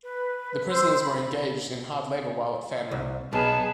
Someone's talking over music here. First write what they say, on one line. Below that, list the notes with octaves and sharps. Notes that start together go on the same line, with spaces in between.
The prisoners were engaged in hard labor while at Fannrem.
B4
C5 E6
B5
C2
B1 B3 G#4 B4 A5